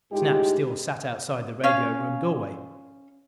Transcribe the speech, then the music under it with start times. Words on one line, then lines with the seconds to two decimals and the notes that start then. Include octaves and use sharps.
Snap still sat outside the radio room doorway.
0.12 A2 G#3 D#4 F4 G4
1.64 C#4 F5